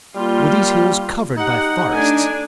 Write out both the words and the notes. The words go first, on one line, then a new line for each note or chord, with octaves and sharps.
Were these hills covered by forests?
G3 A#3 F4
D#4 G4 F#5
A3 D4 G#5